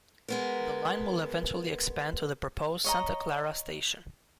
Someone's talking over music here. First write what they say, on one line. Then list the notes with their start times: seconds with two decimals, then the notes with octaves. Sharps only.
The line will eventually expand to the proposed Santa Clara station.
0.28 G#3 B3 A#4
2.84 C#5 D#5 A#5